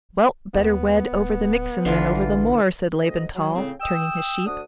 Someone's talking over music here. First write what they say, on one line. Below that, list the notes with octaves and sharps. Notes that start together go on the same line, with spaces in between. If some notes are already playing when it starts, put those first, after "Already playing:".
"Well, better wed over the mixen than over the moor," said Laban Tall, turning his sheep.
D#2 B3
D1
A1 D3 E3 F4
D2 D#5
F#3
A2 C#3 C4
G5 D#6 E6
D2 D4 F#4 D#6